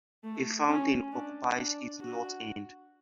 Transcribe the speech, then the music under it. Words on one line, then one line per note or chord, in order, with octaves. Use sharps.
A fountain occupies its north end.
A3
C#4
D4
D4
F#4